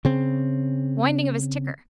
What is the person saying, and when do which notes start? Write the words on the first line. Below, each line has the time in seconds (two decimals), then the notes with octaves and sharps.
Winding of his ticker.
0.05 C#3 C4